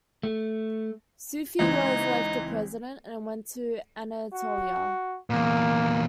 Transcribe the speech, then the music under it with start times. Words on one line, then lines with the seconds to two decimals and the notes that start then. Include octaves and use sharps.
Suphi was elected President and went to Anatolia.
0.23 A3
1.59 C#2 E3 C4 D#4
4.33 F#4
5.30 E2 A#2 A#3